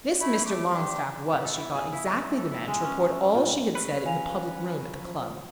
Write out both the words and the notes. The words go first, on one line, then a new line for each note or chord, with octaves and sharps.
This Mr. Longstaff was, she thought, exactly the man to report all she had said in the public room at the club.
A3 E4 B5
A3 D6
D4 G4
B3
A4
E4
G#4
E4
A3
A4
E4
G#3
C#4
A3
A#2
F#3 C#4 B4
F3 F5 G#5 F7